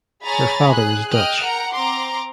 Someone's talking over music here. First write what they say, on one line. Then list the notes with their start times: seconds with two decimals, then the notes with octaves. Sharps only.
Her father is Dutch.
0.24 G#4 C#5 G#5 A#5 B5 A6
0.69 G#4 F#6
1.09 D#5 G5 D#6 F6 F#6
1.42 A#4 F#5 G5 A#5
1.73 C4 A#5 C6 D6